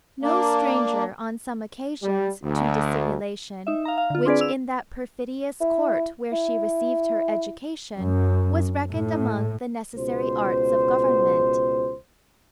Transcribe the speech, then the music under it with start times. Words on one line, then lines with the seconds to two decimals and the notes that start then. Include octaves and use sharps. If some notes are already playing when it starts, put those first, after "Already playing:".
No stranger, on some occasions, to dissimulation, which in that perfidious court where she received her education was reckoned among the necessary arts of government.
0.23 A#3 D4
2.02 G3
2.44 D2
3.67 D#4 E5
3.85 F5 A#5
3.98 F5
4.10 D3 F4
4.25 C4 D4 G#4 B4 D5
4.41 E6 F7
5.61 E4
6.32 E4
7.98 F#2
8.91 A2
9.96 C#2 B2 C5